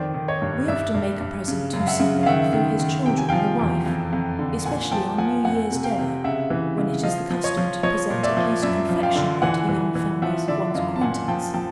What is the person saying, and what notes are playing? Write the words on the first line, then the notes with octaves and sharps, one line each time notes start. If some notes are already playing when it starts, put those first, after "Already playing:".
We often make a present to some one through his children or wife, especially on new year's day, when it is the custom to present at least confectionary to the young families of one's acquaintance.
Already playing: F2 D#3 C5 D5
D#3
C#5 D#5
G2
G2 D5 E5
G2
G2
C#3
F#2
F5
E5 F#5
C#3
F5
D#3 E5 F#5
D#3
D#3
C3 G5
G#5
F3 F5 G5
E2
F2
F2
D3
A#2 F#5 G#5
F3 G5 A5
F3 F#5 G#5
F2 F#5 G#5
C3
F5 G5
C3
C#3 E5 F#5
E3
C#3
F3 D#5 F5
F3
C#5 D#5
F3
F3 C#5 D#5
A#2
D5 E5
F3
F#2 D5 E5
F3
F5 G5
D3
E3 F#5 G#5
E3
E3
F3 E5 F#5
D3 D5 E5
F#2 D#5 F5
A5
A#2 F#5 G#5
F3 G5 A5
F3 G5 A5